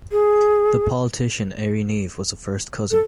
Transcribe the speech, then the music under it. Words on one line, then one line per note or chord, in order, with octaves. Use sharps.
The politician Airey Neave was a first cousin.
G#4
A4